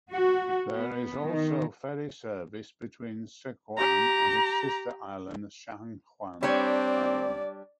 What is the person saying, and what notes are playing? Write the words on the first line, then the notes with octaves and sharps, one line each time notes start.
There is also ferry service between Xiachuan and its sister island Shangchuan Island.
F#4
B3
D#3
G4 A#5
G3 C4 D4 C#5 D5